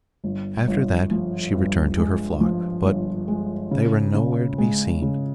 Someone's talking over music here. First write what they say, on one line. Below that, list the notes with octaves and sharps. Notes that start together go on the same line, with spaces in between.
After that she returned to her flock, but they were nowhere to be seen.
G1
G1
F3
G2
G#3
F3
G1
G#3
C#3
C#3
G#3
C#3